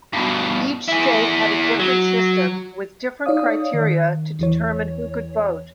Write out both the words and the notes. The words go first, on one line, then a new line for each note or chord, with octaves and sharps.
Each state had a different system, with different criteria to determine who could vote.
G2 B2
E4 G#4
F#3
D#4 C#5 D5 F5 D#6
D#3
E2 E3 C#5